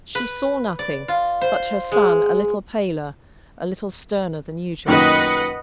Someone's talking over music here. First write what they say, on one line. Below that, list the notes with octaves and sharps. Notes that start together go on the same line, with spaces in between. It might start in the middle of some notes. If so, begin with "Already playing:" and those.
She saw nothing, but her son a little paler, a little sterner than usual.
B4
D5
F4
C5
G#3
F#2 A#2 D#3 B4 D#5 F#5